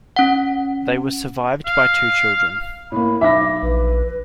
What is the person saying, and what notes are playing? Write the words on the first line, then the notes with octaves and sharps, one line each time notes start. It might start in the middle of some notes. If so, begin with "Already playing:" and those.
They were survived by two children.
C#4 F#5
F5
A2 A#3 B5
B1 E5 B5 D6 A#6
A#1 B4